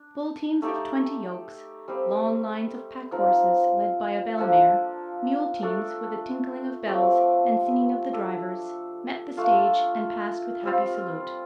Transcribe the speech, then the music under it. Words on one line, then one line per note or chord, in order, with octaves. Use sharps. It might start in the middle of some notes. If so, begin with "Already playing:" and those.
Bull-teams of twenty yokes, long lines of pack-horses led by a bell-mare, mule-teams with a tinkling of bells and singing of the drivers, met the stage and passed with happy salute.
Already playing: D4
A3 D#4 G4 D5
G3 C4 G4 C5
F3 C4 D#4 A#4
F3 A#3 D4 A4
A3 D4 A4
F3 A3 C4 G4
D4 A4 D5
A3 D4 F4
G3 C4 F4